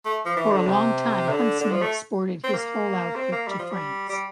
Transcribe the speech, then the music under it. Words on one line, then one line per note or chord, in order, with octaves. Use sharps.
For a long time Huntsman exported his whole output to France.
A3
F3
E3
D3
C3
D3
D3
F3
A3
C4
A#3
C4
A#3
G3
F3
G3
G3